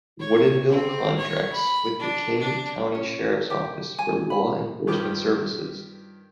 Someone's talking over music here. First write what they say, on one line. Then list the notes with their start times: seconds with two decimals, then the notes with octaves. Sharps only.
Woodinville contracts with the King County Sheriff's Office for law enforcement services.
0.19 C#5
0.70 C4
1.17 C#5
1.53 B5
1.99 D4
2.39 D4
2.95 C#4
3.50 G4
3.99 G#5
4.30 B5
4.87 G2 D#3 F3 G4 B4 D6